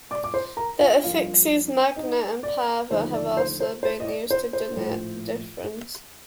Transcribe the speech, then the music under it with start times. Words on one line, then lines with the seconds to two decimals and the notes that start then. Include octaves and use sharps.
The affixes 'Magna' and 'Parva' have also been used to denote the difference.
0.11 D5 D6
0.24 D6
0.34 C5 C6
0.57 A#4 A#5
0.80 F4 F5
1.03 G2 F3 A#3 F4 F5
1.96 D#4 D#5
2.43 D5
2.90 D#2 D3 F3 A3 D#4 C5
3.13 D5
3.37 C5
3.60 C5
3.83 C5
4.00 D#5
4.07 D5
4.31 C5
4.53 C5
4.76 A#1 A2 F3